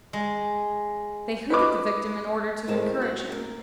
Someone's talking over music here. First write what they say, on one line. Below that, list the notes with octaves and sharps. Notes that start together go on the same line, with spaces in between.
They hoot at the victim in order to encourage him.
G#3
B4 D#5 B5 D6 D#6
D#2 A2 G#3 C4 A#4 A5
F#4
A#3